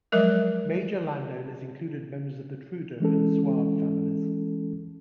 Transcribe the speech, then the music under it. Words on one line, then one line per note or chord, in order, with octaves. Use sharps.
Major landowners included members of the Trudeau and Sauve families.
F3 F#3 G#3 A#4 D#5
E3 G#3 C#4 A4